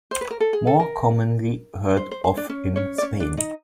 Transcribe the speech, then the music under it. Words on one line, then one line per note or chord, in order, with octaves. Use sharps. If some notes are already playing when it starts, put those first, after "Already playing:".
More commonly heard of in Spain.
C5
B4
A#4
A4
G#4
A4
A#4
C5
C5
C5
D4 D5
C#4 C#5
C#4 C#5
D5
C#4 C#5
D4 D5
D#4 D#5